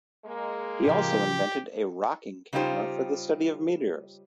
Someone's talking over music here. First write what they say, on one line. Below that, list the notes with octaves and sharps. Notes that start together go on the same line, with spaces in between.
He also invented a rocking camera for the study of meteors.
G#3 A#3
A2 C#3 F3 G4
C#3 G3 D#4 F4 G4 C5